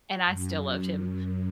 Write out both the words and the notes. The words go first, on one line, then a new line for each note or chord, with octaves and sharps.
and I still loved him,
F#2